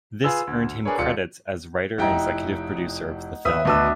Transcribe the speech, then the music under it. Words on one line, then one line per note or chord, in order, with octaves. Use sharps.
This earned him credits as writer and executive producer of the film.
F4 G#4 B4 E6
D2
D4 G#4 A#4 B4 C#5
D#1 F4 D5 C#7
F1 D#4 E4 F#5 G5
D#2 B4 E5 D#6
D2 B2 D4 B4 E6